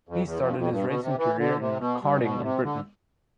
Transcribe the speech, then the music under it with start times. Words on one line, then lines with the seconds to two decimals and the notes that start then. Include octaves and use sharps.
He started his racing career in karting in Britain.
0.09 F2
0.25 E2
0.39 F2
0.48 G2
0.56 F2
0.71 G2
0.86 B2
1.02 C3
1.18 E3
1.38 D3
1.59 C3
1.79 B2
2.01 G2
2.22 B2
2.37 D3
2.42 C3
2.63 D3